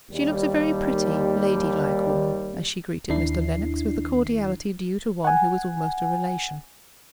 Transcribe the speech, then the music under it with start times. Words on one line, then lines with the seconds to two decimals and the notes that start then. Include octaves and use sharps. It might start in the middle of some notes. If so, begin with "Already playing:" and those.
She looked a very pretty lady-like woman, as she greeted Mr. Lennox with the cordiality due to one who was almost a relation.
0.11 D#2 G3
3.09 D#2 D#3 D4 E4 C7
5.25 F#5 G#5